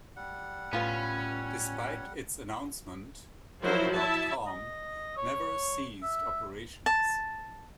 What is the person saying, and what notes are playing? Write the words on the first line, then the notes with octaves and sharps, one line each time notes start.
Despite its announcement, go dot com never ceased operations.
G3 F#5
A2 B3 C#4 F4 B4
F3 F#3 E4 F#4 A#4 C5
E4 E5 A5
D#5
C#5
E5
A5